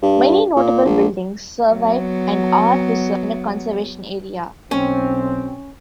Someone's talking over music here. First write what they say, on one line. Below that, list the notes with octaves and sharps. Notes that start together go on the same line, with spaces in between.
Many notable buildings survive and are preserved in a conservation area.
G2
A#2
A#1
F#3 B3
B1 C4 C#4